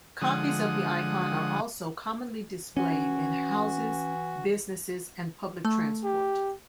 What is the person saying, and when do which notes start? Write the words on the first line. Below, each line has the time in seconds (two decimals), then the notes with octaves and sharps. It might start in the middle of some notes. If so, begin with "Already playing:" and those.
Copies of the icon are also commonly displayed in houses, businesses, and public transport.
0.21 D3 F3 G#3 F#5 D#6
2.77 E3 C#4 F#4
5.65 A3
6.04 G4